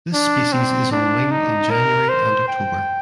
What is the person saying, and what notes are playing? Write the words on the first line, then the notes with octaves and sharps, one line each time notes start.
This species is on wing in January and October.
D4
C4
D4
D#4
A#4
C5
G5